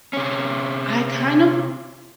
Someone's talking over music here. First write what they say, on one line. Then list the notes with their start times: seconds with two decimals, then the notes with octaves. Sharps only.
I kind of
0.13 C3 C#4